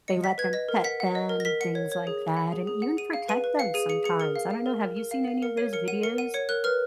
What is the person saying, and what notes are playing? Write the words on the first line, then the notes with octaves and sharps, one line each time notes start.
they let them pet them and things like that, and even protect them sometimes. I don't know, have you seen any of those videos?
D#5 C#7
F#5 B6
B4 G#6
D#5 A#6
A#4
F#5 B6
F#5
D#5
A#4
A#6
A#4 B6
F#5 C#7
C#5
C#5
G#4
G#4
F#5
G#4
G#4
F#5
G#4 D#7
F5
B4 D#7
B4
F5 C#7
G#4 D#7
G#4 C#7
G#4 C#7
A#4 C#7
F5
F5
A#4
A#4
A#4
F5
F5
A#4 C#7
C#5 D#7
A#4 C#7
F#5 D#7
A#4 C#7
F#5 D#7
C#5 C#7
A#4 F#6
B4 F6